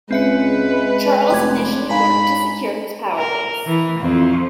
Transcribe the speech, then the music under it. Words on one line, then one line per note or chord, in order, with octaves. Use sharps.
Charles initially worked to secure his power base.
C#2 G#3 C4 B4 E5 C#7
F1 C6 D6 G#6
G#2 F5 G#5 A#5 B5
A#4
E3
F2